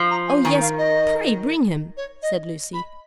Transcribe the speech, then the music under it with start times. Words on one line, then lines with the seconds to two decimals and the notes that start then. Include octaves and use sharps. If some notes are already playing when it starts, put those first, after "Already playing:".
"Oh yes, pray bring him," said Lucy.
Already playing: F3
0.10 A#5
0.28 G#5
0.45 D#3 G#5
0.61 F5
0.78 D#5
1.97 C#5
2.22 D#5
2.74 B5